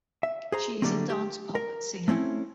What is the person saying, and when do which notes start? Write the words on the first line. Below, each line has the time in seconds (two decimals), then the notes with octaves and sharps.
She is a dance-pop singer.
0.23 E5
0.52 G#4 C5 A#5
0.82 D3 F#3 G3 A3 A#3 C4
1.10 G4
1.55 A#4
2.08 A3 C4 C#4 E4